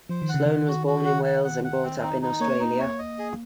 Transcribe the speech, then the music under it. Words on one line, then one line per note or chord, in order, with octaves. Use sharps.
Sloane was born in Wales and brought up in Australia.
F3 C5
D#3
F#5
C#3
D#3 F#5
F#4
F#4
F#5
F#5
F#5
F#5
C4
D#4
D#4
A#3 C#5
D#4
C#5
D#5
G#4